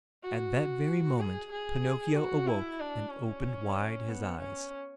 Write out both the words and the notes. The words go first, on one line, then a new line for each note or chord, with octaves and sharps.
At that very moment, Pinocchio awoke and opened wide his eyes.
F#4
G#4
G#4
F#4
E4
D4
C#4
B3
C#4